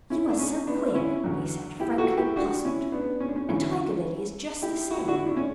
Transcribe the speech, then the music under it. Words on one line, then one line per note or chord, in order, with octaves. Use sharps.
'You are so queer,' he said, frankly puzzled, 'and Tiger Lily is just the same.
C#4 E4
D4
C#4
B3 D4
C#4 E4
E2 D3 F#3
E4 G4
F#4 A4
E4 G4
D4 F#4
C#4 E4
B3 D4
C#4
D4
C#4
E2 D3 F#3 C#4 E4
E4 G4
F#4
E4
D4 F#4
E4
D4
C#4